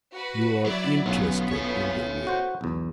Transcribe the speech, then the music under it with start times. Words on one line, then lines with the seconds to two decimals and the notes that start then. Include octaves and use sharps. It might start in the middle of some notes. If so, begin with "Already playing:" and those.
"You are interested in the will."
0.12 F#4 B4
0.66 F#3 E4 D5
1.06 B1 D3 F#3 B3 C#4 F4
1.51 A4 C#5
2.27 F#4 C5 F#5
2.61 B1 E2